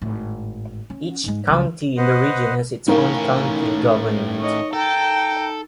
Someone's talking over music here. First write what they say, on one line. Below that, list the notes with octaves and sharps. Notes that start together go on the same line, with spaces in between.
Each county in the region has its own county government.
G#1 A2
C#4
G#2 G#3
C#2 F#3
B4 C5 D#5 F#5
A2 D#3 C#4 A#4 F5
C#5 D#5
A4 G5 A#5